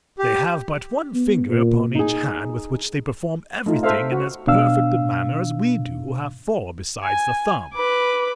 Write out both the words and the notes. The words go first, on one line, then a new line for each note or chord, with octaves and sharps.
They have but one finger upon each hand, with which they perform everything in as perfect a manner as we do who have four besides the thumb.
G4
B3
A#2
D#4 G#4
A3 D#4 F4
A4 C5 E5 F5
F#4
B2 D4 F5 E6
G#5
B4 D6